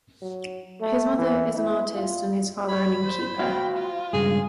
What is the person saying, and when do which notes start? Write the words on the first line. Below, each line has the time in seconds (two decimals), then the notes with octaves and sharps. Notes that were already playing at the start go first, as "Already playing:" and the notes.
His mother is an artist and his father an inn keeper.
0.22 F#3
0.81 A3
1.18 E3
1.55 E4
1.95 F4
2.69 C#5 B5
3.03 C5
3.39 F#4 C5 F5 G5
3.76 F4
4.13 C#2 G2 G#4